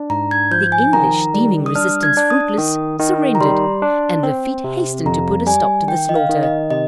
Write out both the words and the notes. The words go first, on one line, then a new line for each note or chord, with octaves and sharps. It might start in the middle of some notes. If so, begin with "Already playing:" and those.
The English deeming resistance fruitless, surrendered, and Lafitte hastened to put a stop to the slaughter.
Already playing: D4
G#2 A#5
G#6
F3 G6
G#5
D#3 A#5
G3
D#6
D4 F6
G#6
D4
D#6
D#3 D#6
D#3
A#5
G3 C6
D4
C4
C3
F2 A#5
G3 G#5
D#3 G5
D#5
F5
D#3
D#5
C3 D#5